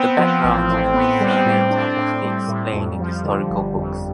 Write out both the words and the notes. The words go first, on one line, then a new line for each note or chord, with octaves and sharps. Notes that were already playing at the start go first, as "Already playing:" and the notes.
The backgrounds of these surnames are mostly explained in historical books.
Already playing: B3 C4
F3
A1
A2
B3
G3
A2
D4
A2
G3
A2
F2 G3
F3
D3
G1
F2